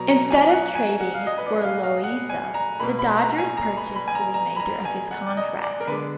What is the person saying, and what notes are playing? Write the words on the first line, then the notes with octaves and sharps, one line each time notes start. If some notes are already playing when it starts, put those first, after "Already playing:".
Instead of trading for Loaiza, the Dodgers purchased the remainder of his contract.
Already playing: B2 F#3 B3 A#5
A#5
G#5
F#5
G#5
F#5
F5
D#5
B4
D5
F5
F5
F#5
G#5
A#5
B2 A#3 B5
B5
A#5
G#5
A#5
B5
B5
G#5
A#5
A#5
B5
A#5
G#5
F#5
D5
D#5
D5
A#4
D3 G#3 B3 B4